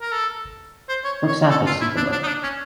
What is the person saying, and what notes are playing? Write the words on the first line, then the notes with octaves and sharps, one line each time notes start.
For examples see below.
A#4
A4
C5
C#5
C#5
A4
F4
E4
D4
D4
D#4
D4
C#4